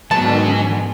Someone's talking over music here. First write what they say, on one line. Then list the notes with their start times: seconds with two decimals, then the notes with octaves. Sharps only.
Oh, no.
0.11 G#2 B2 F#3 G#5 A5